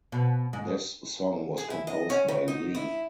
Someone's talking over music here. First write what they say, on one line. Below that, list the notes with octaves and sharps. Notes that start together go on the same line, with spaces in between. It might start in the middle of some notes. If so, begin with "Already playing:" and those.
This song was composed by Lee.
B2
G#2
G#4
E4
D#5
C#4
C#3
D#4
E4